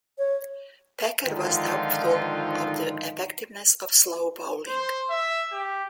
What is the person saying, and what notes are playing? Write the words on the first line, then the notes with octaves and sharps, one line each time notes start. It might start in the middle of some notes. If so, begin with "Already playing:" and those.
Packer was doubtful of the effectiveness of slow bowling.
C#5
G#2 D3 D#3 F3 D#4 F4
C5
E5
G4